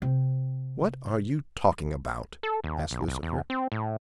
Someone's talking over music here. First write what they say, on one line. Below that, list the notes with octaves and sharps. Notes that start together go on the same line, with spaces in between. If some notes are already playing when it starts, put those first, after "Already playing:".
"What are you talking about?" asked Lucifer.
C3 C4
A4
D#2
B1
C2
E2
C4
A2